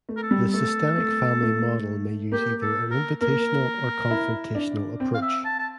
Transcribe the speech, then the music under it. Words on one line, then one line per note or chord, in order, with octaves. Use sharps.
The Systemic Family Model may use either an invitational or confrontational approach.
A3
A#4
A4
G3
A3 A4
A3
A3
A#3 G4
A4
A#4
A#3 A#4
E4
D4
C4
F5
E5
A5
A5